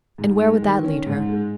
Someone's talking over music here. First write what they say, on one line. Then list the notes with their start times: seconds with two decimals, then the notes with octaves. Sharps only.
And where would that lead her?
0.18 G#2
0.40 G#3
0.62 D#3
0.84 C#4
1.06 G#2
1.28 G#3